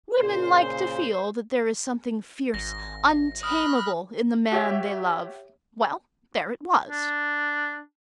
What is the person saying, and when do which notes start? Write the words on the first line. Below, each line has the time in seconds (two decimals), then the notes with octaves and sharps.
Women like to feel that there is something fierce, untamable in the man they love; well, there it was.
0.19 A#2 C#3 C5
2.54 G#1 A#6
3.43 B5 D#6 F6 F#6
4.52 F#4 G4 C#5 E5
6.90 D4